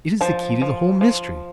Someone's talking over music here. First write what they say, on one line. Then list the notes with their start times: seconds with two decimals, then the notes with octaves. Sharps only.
It is the key to the whole mystery.
0.21 F3 A5
0.62 F3
1.01 F3